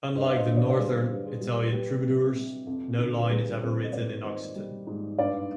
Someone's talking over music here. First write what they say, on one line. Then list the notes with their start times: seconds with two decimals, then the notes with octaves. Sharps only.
Unlike the Northern Italian troubadours, no line is ever written in Occitan.
0.15 G2 C5 D#5
0.29 F5
0.36 C5 D#5
0.47 D3 D#5
0.57 B4 D5
0.70 D5
0.78 G3 G#4 C5
0.94 G#4
1.10 G2 G4 B4
1.25 G#4 C5
1.41 G3 G4 B4
1.72 G3 G4 B4
2.04 C3
2.35 C3
2.67 F2
2.98 D3
3.22 B4
3.30 G3 G#4
3.61 F2 G#4 C5
3.83 D#5
3.93 G#2 B4 D5
4.24 D#3 C5 D#5
4.56 G3
4.87 G#2
5.18 G2 D5 F5